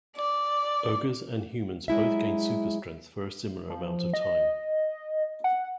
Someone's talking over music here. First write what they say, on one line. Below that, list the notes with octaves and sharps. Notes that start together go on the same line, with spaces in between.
Ogres and humans both gain super strength for a similar amount of time.
D5
F#3 G#3 E4 E5
F3
D#5
F#5